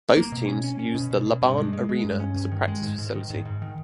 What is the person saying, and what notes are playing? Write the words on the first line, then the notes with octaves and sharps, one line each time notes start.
Both teams use the LaBahn Arena as a practice facility.
A#3
B2
C#4
C#4
C#4
B2
B2
B2
G2
G#3
G#3
G#3
G2
C#4
G2
D#3
G#3
G#2
G#2
D#3
G#2
G#2
D#3